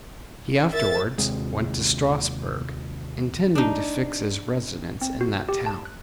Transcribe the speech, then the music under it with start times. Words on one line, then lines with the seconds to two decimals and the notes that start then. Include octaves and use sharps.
He afterwards went to Strasbourg, intending to fix his residence in that town.
0.73 A#4 E5 A6
1.18 D#2 C3 G#3
3.55 D4 D#4
5.01 C4
5.21 F#4
5.49 G4
5.66 A5
5.85 F#6